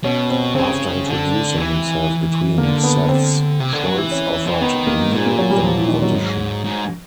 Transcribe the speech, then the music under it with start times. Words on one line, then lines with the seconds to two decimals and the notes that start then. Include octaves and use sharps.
After introducing himself between sets, Scholz offered Neal an audition.
0.04 B2 C#4
0.30 C4
0.55 C#3 C4
1.06 D3
1.57 E3
2.58 D3 A#3
2.83 B3
3.09 C4
3.60 C3
3.73 D3
3.85 F#3
3.98 E3
4.11 C#4
4.47 F3
4.54 E3
4.61 D#3 B3
4.87 A#3
5.13 A#2
5.26 A#3
5.39 F#3
5.50 G3
5.63 F3
5.76 E3
5.88 D#3
6.02 F#3
6.14 G#2
6.65 G#2